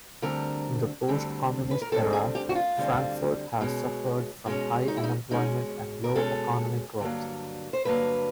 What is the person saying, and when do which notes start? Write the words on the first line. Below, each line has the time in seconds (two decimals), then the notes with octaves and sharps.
In the post-communist era, Frankfurt has suffered from high unemployment and low economic growth.
0.22 D2 D3 G3 C4 A#4
1.08 D2 D3 G3 C4
1.71 B4
1.82 A#4
1.92 D2 D3 G3 C4 A4
2.13 G#4
2.35 G4
2.49 F#4
2.55 F4
2.77 D2 D3 G3 C4
3.61 B2 G#3 C#4
4.46 B2 G#3 C#4
4.88 D#4
4.97 E4
5.04 D#4
5.31 B2 G#3 C#4 D#4
6.04 A#4
6.15 B2 G#3 C#4 A4
7.00 G2 D3 F#3 A#3
7.73 C5
7.85 G2 D3 F#3 A#3 B4